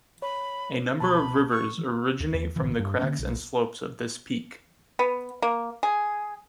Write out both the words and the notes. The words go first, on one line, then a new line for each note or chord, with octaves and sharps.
A number of rivers originate from the cracks and slopes of this peak.
C#5 B5
C#2 B2 A5 B5
C#6
D2
D#2
A1 D3 E3
G2
D3 A#3 C#4
B1
B3
A#3
G#4